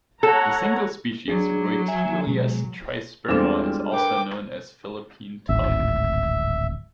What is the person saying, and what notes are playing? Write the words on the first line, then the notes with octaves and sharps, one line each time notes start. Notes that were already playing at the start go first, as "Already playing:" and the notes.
The single species, Reutealis trisperma is also known as Philippine tung.
A4 C#5 F#5 A#5
F#3 D4 G#4
E5 G#5
B2 G#3
E2 G3 G#3 C4 D4 F4 A4 E7
A#4 B4 G5 D6
D1 G#1 E5